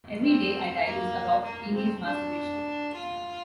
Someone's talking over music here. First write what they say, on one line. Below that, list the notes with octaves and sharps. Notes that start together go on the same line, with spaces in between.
"Every Day I Die" was about teenage masturbation.
C4
A#3
A#3
C4
D4
F4